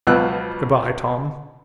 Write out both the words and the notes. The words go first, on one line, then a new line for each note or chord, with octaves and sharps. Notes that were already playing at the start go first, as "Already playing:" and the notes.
Good-by, Tom.
C#2 B2 F3 F#3 E6 F#6